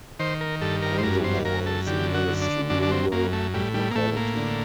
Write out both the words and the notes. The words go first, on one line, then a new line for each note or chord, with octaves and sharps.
Komsomol is the nearest rural locality.
D#3 C5
A#4
G2 A4
A#4
C5
F#2 A#4
C5
F#2 A#4
A4
D3 G4
F#4
D3
D4
F#2 D4
D4
C4
F#2 A#3
A3
A2 G3
G3
A#3
A2 A3
A#3
D3